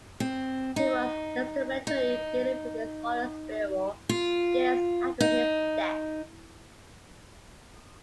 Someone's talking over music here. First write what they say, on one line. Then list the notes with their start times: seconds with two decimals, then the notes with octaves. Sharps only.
He was instrumental in dealing with his father's burial, years after his death.
0.20 C4
0.76 D#4
1.87 D#4
4.09 F4
5.21 D#4